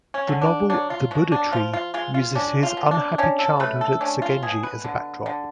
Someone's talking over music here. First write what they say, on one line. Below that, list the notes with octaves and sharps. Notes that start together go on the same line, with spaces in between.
The novel "The Buddha Tree" uses his unhappy childhood at Sogenji as a backdrop.
C#4
D3
D4
F#3 D4
F4
B2 F#4
D4
F3 F4
F4
G#3 F4
F4
C#4 D4
F4
B2
D4
C#4 D4
A4
A3 B4
A4
C#4 D4
F4
B2 G#4
B4
D3
D3